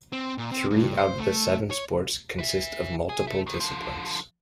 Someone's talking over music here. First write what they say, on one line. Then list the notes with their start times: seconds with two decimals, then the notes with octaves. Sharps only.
Three out of the seven sports consist of multiple disciplines.
0.13 C4
0.38 A#2
0.52 C4
0.70 G2
0.97 C5
1.19 A3
1.71 C#5
2.39 B4 E5
3.09 G#4
3.27 A4 E5
3.47 D#2 D#3
3.60 D3 F3